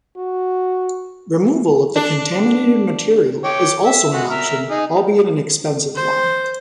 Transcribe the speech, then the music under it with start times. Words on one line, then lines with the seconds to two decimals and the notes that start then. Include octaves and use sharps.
Removal of the contaminated material is also an option, albeit an expensive one.
0.17 F#4
1.96 D4
3.44 C#5 G5 D6
3.85 E5
4.13 G#3 F#4
4.30 E5 A#5 F6
4.70 D#4 G#4 D#5
5.95 C5